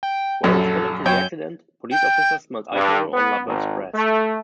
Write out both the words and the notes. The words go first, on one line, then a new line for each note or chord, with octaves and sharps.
While responding to the accident, police officers smelled alcohol on LaBeouf's breath.
G5
A#1 F#2 A4
F#2 C#5 G5 G6
G5
G2
B3
G#1
A3